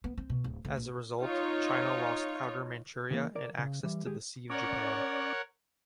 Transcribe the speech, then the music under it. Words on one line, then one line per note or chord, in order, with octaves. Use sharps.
As a result, China lost Outer Manchuria and access to the Sea of Japan.
B3
C4
B2
D1
D2
A#1
D#4 F4 C#5
C#3 E3 A#3
A#4 D5
C#3
E3 G3
D#3 G#3 G4 G#4
C#4 A#4 C#5 D5 F#5